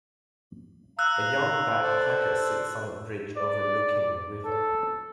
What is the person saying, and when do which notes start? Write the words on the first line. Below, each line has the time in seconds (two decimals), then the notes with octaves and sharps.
A young backpacker sits on a bridge overlooking a river.
0.99 F5 A#5 E6 F#6
1.82 A4 C5 D5
3.37 D5
4.45 A4